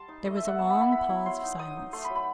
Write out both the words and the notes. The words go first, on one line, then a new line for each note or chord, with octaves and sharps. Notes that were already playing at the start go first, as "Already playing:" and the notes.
There was a long pause of silence.
Already playing: G3 A5 C6
D#4
A3 D#5
E5
A3
F#5
B3 A5
B5
E4
B5
B3 B5
E4
F#3 C6
D#4
D#4 D#6
D#4
A3 C6
B5
F#3
B5